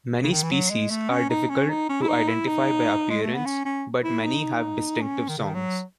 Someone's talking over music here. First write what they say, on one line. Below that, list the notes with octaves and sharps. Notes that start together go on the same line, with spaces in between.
Many species are difficult to identify by appearance, but many have distinctive songs.
C#3
D#3
E3
F#3
G#3
A3
C#4
D#4
C#4
D#4
C#4
E4
D#4
E4
D#4
G#3
A3
B3
C#4
C#4
E4
D#4
C#4
D#3
C#3
D#3
F#3